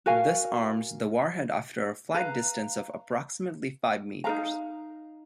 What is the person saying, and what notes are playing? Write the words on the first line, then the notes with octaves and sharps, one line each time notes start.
This arms the warhead after a flight distance of approximately five meters.
F#4 A#4 F5 G#5
B4 F5 A#5
D#4 A#4 F5 A#5